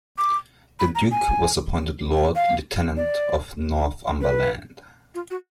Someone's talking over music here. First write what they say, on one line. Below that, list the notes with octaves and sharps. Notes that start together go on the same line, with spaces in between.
The Duke was appointed Lord Lieutenant of Northumberland.
D6
B5
A#5
G#5
F5
D5
B4
F4
F#4